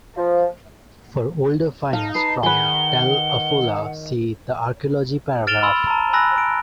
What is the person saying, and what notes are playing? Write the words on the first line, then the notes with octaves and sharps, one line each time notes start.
For older finds from Tel 'Afula see the Archaeology paragraph.
F3
D#4 F5 A5
B4 A5 C7
D#3 G#4 B4 F#5 G7
F6 A6 D7 E7 F7 G7
B5 C6 E6
A5 A#5
G#5 B5 E6 F#6 A#6
D7